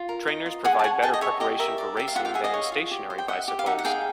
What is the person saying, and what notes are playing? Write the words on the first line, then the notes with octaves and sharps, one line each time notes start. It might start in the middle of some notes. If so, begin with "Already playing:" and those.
Trainers provide better preparation for racing than stationary bicycles.
Already playing: F4
A#4
D#5
F4
G#4 F#5 G#5
A5
C#5 F#5 G#5
G#4 G5 A5
D#5
C#5 E5
G4 D#5
A#4 E5
D5
G4 E5
F5
F4 E5 F#5
F5 G5
G#4 E5 F#5
D#5 F5
C#5
F4
G4
C5
G5
D#5 E5 F#5
G4
F5
D#4 E5 F#5
F#5
G#4 F5 G5